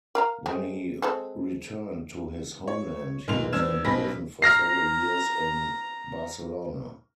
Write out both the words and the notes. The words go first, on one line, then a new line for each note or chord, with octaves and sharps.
When he returned to his homeland, he was imprisoned for several years in Barcelona.
A#4 F5 A#5
G#3 A3 C4
G#3 C4 A4
C#5
B1 A#2 C6 F7
E2 D4 C5 E6 G#6 E7
B1 B2 C5 B5 A#6 B6
A#5 F6 A#6 C7